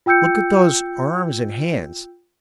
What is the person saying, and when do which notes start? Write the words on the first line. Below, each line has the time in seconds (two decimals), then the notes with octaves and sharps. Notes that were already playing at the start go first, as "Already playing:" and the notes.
Look at those arms and hands!
0.06 F4 G5 E6 G6 C#7